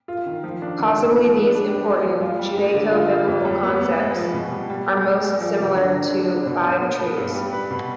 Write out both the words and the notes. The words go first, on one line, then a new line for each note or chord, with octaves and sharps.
Possibly these important Judaico-Biblical concepts are most similar to "five trees".
F4
D#3
F3
D4
D#3
D#3
F3
B3
D4
G4
G#3
F3
F4
G3
G#3
D3
F4
F4
F2
G3
B3
B3
G#3
F3
B2
G3
G3
G4
G#3
G#3
F3
C3
D3
D3
D4
D4
B2
B2
B3
B3
G2
G3
B4
B2